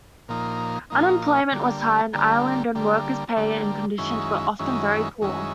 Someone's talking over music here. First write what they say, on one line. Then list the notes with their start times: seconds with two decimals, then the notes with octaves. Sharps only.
Unemployment was high in Ireland and worker's pay and conditions were often very poor.
0.29 A#2 F3 A#3 D#4
0.90 A#2 F3 A#3 D#4
1.52 D3 G3 A#3
2.13 D3 G3 A#3
2.75 D3 G3 A#3
3.37 D3 G3 A#3
3.98 F#2 D#3 G#3 C#4 E4
4.59 F#2 D#3 G#3 C#4 E4
5.21 F#2 D#3 G#3 C#4 E4